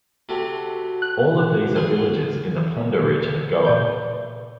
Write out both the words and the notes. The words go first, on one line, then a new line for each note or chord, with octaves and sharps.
All of these are villages in the Ponda region of Goa.
C3 A3 C4 F#4
F#6
F4 G#4
A#2 D5 G6